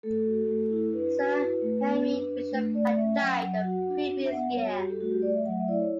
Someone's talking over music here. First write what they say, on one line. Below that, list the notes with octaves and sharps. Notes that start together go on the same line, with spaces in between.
Sir Henry Bishop had died the previous year.
A3 A4
F#4
A3
E4
D4 B4
F#4
E4
A3
B3
D4
D4
A3
A3 D5
C#4 E5
G5
F#3 F#5
F#3
F#4
D4
D4
E5
B3 F#5
G3 C#5
F#4
G3 G4
A4
A3 F#4
G4
A3 D5
E5
F#3 F#5
E5
E4 D5
C#5